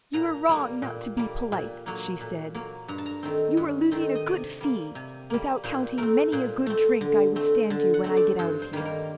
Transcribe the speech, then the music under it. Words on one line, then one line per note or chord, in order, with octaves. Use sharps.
"You are wrong not to be polite," she said; "you are losing a good fee, without counting many a good drink I would stand you when I get out of here."
A#2 A#5
G3 A#3
A#2
G3 A#3
A#2
F#3 A#3
A#2
F#3 A#3
G2 A#5
A5
A#5
D#3 A3 C4
G2
D#3 A3 C4
D#5
C3 D5
G3 A#3
C3
G3 A#3
A#2 C5
A3 C4 A#4
A#2 C5
A3 C4
D3
A3 C4
D3 A5
F#5
A3 C4
D5
G2 C5
C5
D#3 G3 A#3
A#4